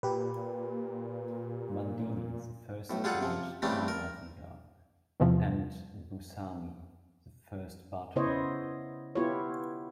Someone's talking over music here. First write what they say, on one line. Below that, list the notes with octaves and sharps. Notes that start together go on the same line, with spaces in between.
Mandini the first Count Almaviva, and Bussani the first Bartolo.
A#2 G4 B4
B1 A2
G3 F4 G#4 A4 F#5
C3 F3
C#3 E3 G3 A3 C4 D4
A#4
E2 C3 F3
C#3 B3 E4 C5 C#5 D#5
B3 E4 F4 G4 C#5